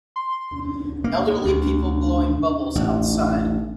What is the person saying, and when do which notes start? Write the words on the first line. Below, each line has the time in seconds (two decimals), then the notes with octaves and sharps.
Elderly person blowing bubbles outside.
0.16 C6
1.04 A#3
1.45 D2
2.75 A1